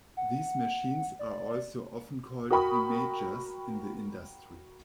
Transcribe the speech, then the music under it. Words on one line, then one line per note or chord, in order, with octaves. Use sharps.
These machines are also often called "imagers" in the industry.
F#5
D5
F#4 A#4 G5 B5 C#6 D#6